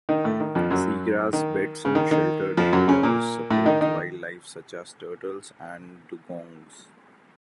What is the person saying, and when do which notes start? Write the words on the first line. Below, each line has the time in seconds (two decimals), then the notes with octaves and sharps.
Seagrass beds in sheltered areas support wildlife such as turtles and dugongs.
0.09 D#3 D#4
0.24 A2 A3
0.40 D#3
0.55 F2 F3
0.71 F#2 F#3
1.33 D#3
1.85 C#3
1.95 D#3
2.11 D#3
2.57 F2 F3
2.73 F#2 F#3
2.88 C#3 C#4
3.03 A#2 A#3
3.50 A2 A3
3.65 D#3 D#4
3.81 D#3 D#4